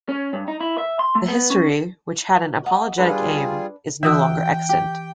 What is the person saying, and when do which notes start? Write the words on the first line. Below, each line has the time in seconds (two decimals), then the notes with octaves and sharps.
The history, which had an apologetic aim, is no longer extant.
0.09 C#4
0.33 G2
0.48 D#4
0.61 E4
0.78 E5
0.99 C6
1.15 A3
1.28 B3
1.50 C#4
2.66 D#5 F#5
2.98 G3 D4 F4 G#4 A4 B4
4.03 E3 F#4 E5 G5 D#6 E6
4.69 G4